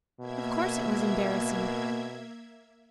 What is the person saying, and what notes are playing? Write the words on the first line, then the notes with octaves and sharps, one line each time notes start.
Of course it was embarrassing.
B2 A#3 E5 G#6